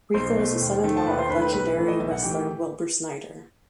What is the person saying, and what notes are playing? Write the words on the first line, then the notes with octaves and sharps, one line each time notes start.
Regal is the son-in-law of legendary wrestler Wilbur Snyder.
B1 C5 C6
B2 A3
D#2
D#3 A3
A5
D#2 B4 B5
C5 C6
D#3 A3 B4 B5
B4 B5
B1 B4 B5
A2 E3 A3
D#5
B1 E5
F#5
A2 E3 A3 G4 G5